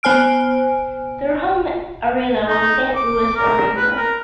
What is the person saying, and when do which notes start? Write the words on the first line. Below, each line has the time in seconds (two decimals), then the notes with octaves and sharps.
Their home arena was Saint Louis Arena.
0.03 B3 C5 G#5 F6 D7
2.47 D#4
2.95 D6
3.36 A#4
3.77 B4
3.97 A#4